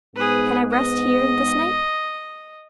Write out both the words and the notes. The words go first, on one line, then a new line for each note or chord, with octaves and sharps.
'Can I rest here this night?
G#2 B3 G#4 B4
D#5